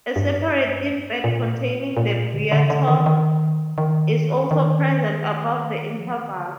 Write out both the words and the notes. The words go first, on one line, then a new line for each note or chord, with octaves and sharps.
A separate thin bed containing the biota is also present about above the interval.
G2
A#2
A#2
D3
D3
D3
D#3
D#3
D#3
D#3
F3
D#3
D3